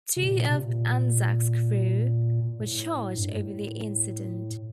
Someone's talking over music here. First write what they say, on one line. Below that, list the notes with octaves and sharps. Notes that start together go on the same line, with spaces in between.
Two of "Anzac"s crew were charged over the incident.
C3
A#2
C3
A#2
A2
G2
A2